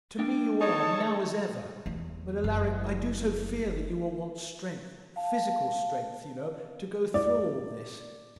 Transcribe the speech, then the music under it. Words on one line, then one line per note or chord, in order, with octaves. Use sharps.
'To me you are, now as ever; but, Alaric, I do so fear that you will want strength, physical strength, you know, to go through all this.
D4 G5
D#4 G#4 A4 C#5
E2
F#1
F5 A5
D5